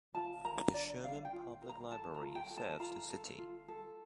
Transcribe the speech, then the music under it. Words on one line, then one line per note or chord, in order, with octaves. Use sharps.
The Sherman Public Library serves the city.
F4 A5
A#4 A#5
D4 D5
D4 F5
G5
F4
A#4
A#5
A4 A5
A#5
F4
G5
A4
A5
F4 A#5
A4
F4
A4